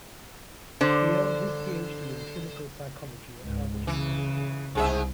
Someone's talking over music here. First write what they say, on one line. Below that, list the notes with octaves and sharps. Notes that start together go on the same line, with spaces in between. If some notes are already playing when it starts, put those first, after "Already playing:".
He earned his Ph.D. in clinical psychology at Harvard University.
D3 C5
C#2 G#2
C#3 E3
C2 G#2 G#4 E5